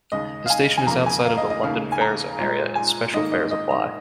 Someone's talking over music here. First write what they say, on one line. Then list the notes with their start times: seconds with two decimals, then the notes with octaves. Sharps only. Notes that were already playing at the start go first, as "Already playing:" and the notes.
The station is outside of the London Fare Zone area, and special fares apply.
0.12 D#2 C#3 G#3 D#5
0.46 F5
0.50 G#5
0.77 G#5
0.87 F2 C#3 A#3 A#5
1.06 G#5
1.25 F5
1.37 D#5
1.50 D#5
1.63 D#2 C#3 A#3 F5
1.92 G#5
2.01 A#5
2.38 A#2 G#3
2.75 G#5
3.14 G#2 D#3 A#3 D#5
3.32 D#5
3.51 D#5
3.71 D#5